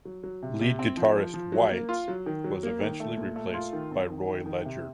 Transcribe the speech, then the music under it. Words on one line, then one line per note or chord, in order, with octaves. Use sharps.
Lead guitarist White was eventually replaced by Roy Ledger.
F#3
F#3
C3
C3
C4
F3
F3
F3
F#3
A#3
F4
F#3
D#3
F#3
A#3
D#3
A3
A#2
A3
F4
D#3
C4
D#3
D#3
D#3
C3